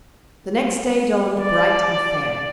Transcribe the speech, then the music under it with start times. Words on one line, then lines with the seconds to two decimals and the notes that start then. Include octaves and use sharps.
The next day dawned bright and fair.
1.41 D5